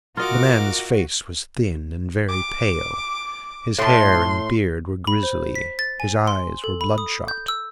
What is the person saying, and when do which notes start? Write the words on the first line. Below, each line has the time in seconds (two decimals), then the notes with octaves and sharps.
The man's face was thin and very pale; his hair and beard were grizzly; his eyes were bloodshot.
0.17 F4 F#4 A#4 D#5 D6
2.28 D6
3.78 A2 A5 C6
5.07 B5
5.23 C5
5.55 B6
5.79 A6
6.00 G#5
6.27 C6
6.64 A4
6.81 B5
6.98 D#6
7.28 G6
7.48 E6